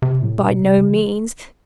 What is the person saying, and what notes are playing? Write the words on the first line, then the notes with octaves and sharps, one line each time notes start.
'By no means.
C3
A2
B2
C3
C#3
F3